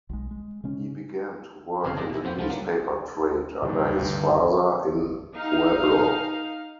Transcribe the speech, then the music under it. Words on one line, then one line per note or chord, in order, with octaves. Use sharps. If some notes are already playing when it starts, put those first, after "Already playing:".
He began to work in the newspaper trade under his father in Pueblo.
B1 G#3
G#3
C#3 G#3 C#4
G1 F2 C#3 C4 F5 G#5
F2 G#3 A#3 D4 D#5 A5
B2 E4
F2 F3 B3 C5 G5
C#2 F3 A3 B3 F4 A5
F#3 G3 A#3 B3
E2 G2 C#3 D4
D3 D#3 A3
D#4 F5